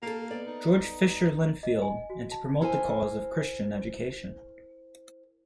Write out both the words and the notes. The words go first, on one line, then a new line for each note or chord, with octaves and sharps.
George Fisher Linfield, and to promote the cause of Christian education.
A#3 G4 A4
B3 D5
D#4
D#5
G#5
F#4
A5
E4 A4 A#4 C5 G#5